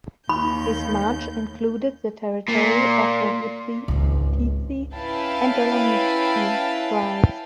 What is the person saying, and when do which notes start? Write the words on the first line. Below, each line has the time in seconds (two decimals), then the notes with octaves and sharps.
His march included the territory of the Chutizi and Dolomici tribes.
0.29 D#2 B5 G6
2.49 A#2
3.88 G#1 C#2
4.94 C#4 E4 B4 F5 G5 A5